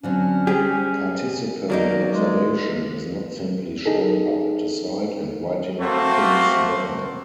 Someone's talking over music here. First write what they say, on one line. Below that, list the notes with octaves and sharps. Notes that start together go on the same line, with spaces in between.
Participant observation is not simply showing up at a site and writing things down.
D3 F#3 C4 C#4
G3 G4 G#4 C5
F#3 A#3 D#4 D5
G#3
D#4 G#4 A4
A3 A#3 C4 F#4 C5